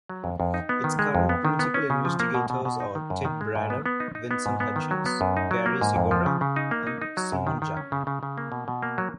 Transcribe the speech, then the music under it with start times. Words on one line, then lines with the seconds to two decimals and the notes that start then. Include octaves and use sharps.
Its current principal investigators are Ted Brader, Vincent Hutchings, Gary Segura, and Simon Jackman.
0.09 F#3
0.24 F2
0.40 F2
0.54 D#4
0.69 B3
0.84 D#3
0.99 G#3
1.15 F2
1.29 B3
1.45 D#3
1.59 B3
1.74 C#4
1.90 C#3
2.05 F3
2.20 A#3
2.34 B2
2.50 B2
2.65 B2
2.80 D#4
2.95 D#3
3.10 F#2
3.25 D#3
3.41 G#3
3.55 G#2
3.70 B3
3.86 B3
4.00 D#4
4.15 D#4
4.31 B3
4.46 G#2
4.60 B3
4.76 D#3
4.91 F#3
5.06 B3
5.21 F#2
5.37 D#4
5.51 F#3
5.66 A#3
5.81 G#2
5.96 F2
6.11 F3
6.26 C#3
6.41 C#3
6.56 D#4
6.71 A#3
6.87 D#4
7.02 D#4
7.17 F#3
7.32 F#2
7.47 D#3
7.62 D#3
7.77 C#4
7.92 C#3
8.07 C#3
8.23 C#3
8.38 A#3
8.52 B2
8.68 B2
8.83 A#3
8.98 F#3